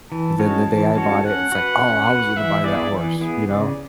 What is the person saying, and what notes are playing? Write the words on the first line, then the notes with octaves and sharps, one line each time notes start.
but then, the day I bought it, it's like, "Oh, I was gonna buy that horse," you know?
E3 A5
G#3 C#4 F#4 C#5
E3
G#3 C#4 F#4 C#5
C#4 F#5
F#4 B4
C#4
F#4 B4
E3 E5
B3 E4 G#4 D5
E3
B3 E4 G#4
C#3 D5